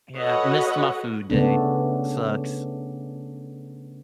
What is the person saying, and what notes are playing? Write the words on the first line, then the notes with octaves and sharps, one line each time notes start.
yeah, missed my food day. Sucks.
F#4 A4 B4 C#5 D#5 F#5
C#3 A3 B3 D4